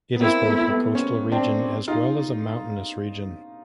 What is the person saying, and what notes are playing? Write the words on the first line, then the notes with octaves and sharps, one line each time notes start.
It is both a coastal region as well as a mountainous region.
B3
A#3 C4 E4
A3 B3
A3 B3
B3 C#4
C4 D4
D#4 F4